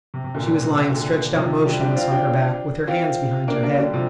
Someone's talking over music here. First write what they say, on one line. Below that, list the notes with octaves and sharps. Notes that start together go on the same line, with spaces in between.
She was lying stretched out motionless on her back with her hands behind her head.
C3
C3
A#2 D3
A#2
C3
C3
A#2 D3
C3 F3
D3 G3
D4 G4
C4 F4
D4 G4
C4 F4
A#3 D4
A#3 D4
D3 G3
C3 F3